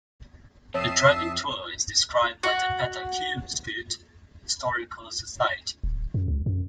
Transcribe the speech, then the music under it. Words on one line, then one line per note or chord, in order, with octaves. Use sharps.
A driving tour is described by the Pettaquamscutt Historical Society.
F2 C#5 E5 A5 D#6 E6 C7
F#4
D1
F#2
C#2
F#2